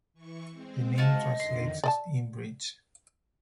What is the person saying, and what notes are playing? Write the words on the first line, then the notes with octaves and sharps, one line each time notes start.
The name translates as "Inn bridge".
E3 C#6
G#3 C4
F4 F#4 D#5 A5
F2 D3 D#3 C6
D5 D#5 A5